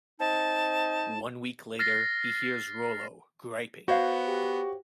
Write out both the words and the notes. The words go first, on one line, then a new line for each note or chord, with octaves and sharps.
One week later, he hears Rollo griping.
C4 D#4 D#5 A5
F6 A6 A#6 C7
B3 F#4 C5 C#5 F5
G4